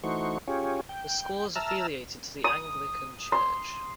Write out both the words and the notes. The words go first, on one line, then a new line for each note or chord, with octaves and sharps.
The school is affiliated to the Anglican church.
E3 A3 D#4 F#4 C5 C#6
C#4 F4 G4 G#4 C#5
G5
E5 A5 A#5 E6 F6
D#6
C6